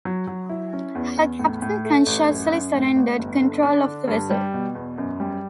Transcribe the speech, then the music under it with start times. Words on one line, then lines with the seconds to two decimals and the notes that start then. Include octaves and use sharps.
Her captain consciously surrendered control of the vessel.
0.05 F#3
0.27 F#3
0.49 E4
0.73 C#4
0.95 E2
1.17 E2
1.39 A2
1.62 A2
1.85 A3
2.06 A1
2.29 F#2
2.52 F#2
2.74 A2
2.96 A1
3.19 G1
3.41 D3
3.63 D4
3.86 D3
4.08 G2
4.30 G3
4.53 B2
4.75 E2
4.98 F#2
5.20 G3